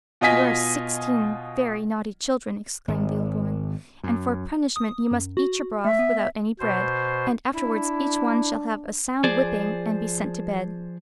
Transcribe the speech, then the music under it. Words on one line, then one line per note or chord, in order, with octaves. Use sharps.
"You are sixteen very naughty children!" exclaimed the old woman; "and for punishment you must eat your broth without any bread, and afterwards each one shall have a sound whipping and be sent to bed."
B2 F4 D#5 G#5 B6
G#1
F#2
D#6
F#2
F#4
A3 E5
B3
B2 C5
D4 E4
F3 G#4 C5 D5